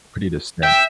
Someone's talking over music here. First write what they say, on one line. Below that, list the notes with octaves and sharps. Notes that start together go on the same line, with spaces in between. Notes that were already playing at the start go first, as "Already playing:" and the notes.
pretty distinct,
E5 G5